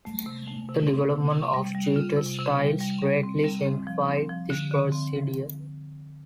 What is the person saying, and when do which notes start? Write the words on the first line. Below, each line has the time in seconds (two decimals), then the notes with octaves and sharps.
The development of geotextiles greatly simplified this procedure.
0.05 A3
0.26 C3
0.48 A3
0.69 C3
0.90 C4
1.11 C3
1.32 C3
1.54 G3
1.75 G3
1.96 F4
2.17 C3
2.38 C3
2.60 G3
2.81 G3
3.02 G3
3.23 C4
3.44 G3
3.65 C4
3.87 F3
4.08 C4
4.29 F3
4.50 D3
4.71 D3
4.92 C4